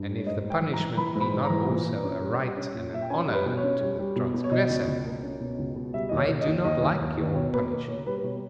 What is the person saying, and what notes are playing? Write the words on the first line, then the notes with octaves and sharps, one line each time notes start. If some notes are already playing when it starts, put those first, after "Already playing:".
And if the punishment be not also a right and an honour to the transgressor, I do not like your punishing.
Already playing: G2
G3
C#5
G#2 D#5
G#2
G5
E3
A#5
E3
E3 B5
G#2
B5
G#2
A#5
E3
A#2
A#2
C#4
G3
G3
C#4
A#2
A#2 E5
G5
C#4 G#5
G3
B4
B2
C#5
C#4
G3
G3
B2
B2
C#5
B2 D#5
C#2
C#2
A#3
C#4
B2
C#2
B2
G3 E5
D#2 D#5
C#5
D#2
D#5
D#2
D#2 D#5
D#2
D#2
D#2
B2 C#5
A#3 B4
A#3 B4
A#3 C#5
G3 B4
B4
B2 C#5